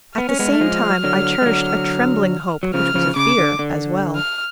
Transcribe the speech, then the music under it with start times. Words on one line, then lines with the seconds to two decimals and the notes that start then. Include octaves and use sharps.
At the same time I cherished a trembling hope which was a fear as well.
0.18 B3 F6
0.29 C#4
0.39 G#3 B3
0.52 A3
0.61 F3 G#3
1.04 D3 F#3
1.42 G#3
1.46 D3 F#3
2.63 F#3
2.74 C#3 F3 F6
2.95 C#3 F3
3.16 C#3 D6
3.38 D3
3.59 D3
4.16 F6